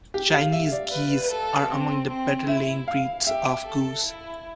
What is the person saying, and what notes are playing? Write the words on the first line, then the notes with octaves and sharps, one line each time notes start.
Chinese geese are among the better laying breeds of goose.
G4
F5
E5
D5
B4
A4
C4
C4
E4 E5
F5
G4 E5
A4
E4